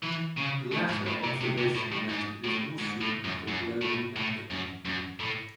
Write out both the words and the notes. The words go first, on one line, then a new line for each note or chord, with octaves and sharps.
The latter observational method is more suitable for global mapping.
E3
C#3
A2
G#2
A2
C3
C3
C3
A2
A2
G#2
A2
G#2
A2
F#2
F#2
A2
A2
F#2
F#2
A2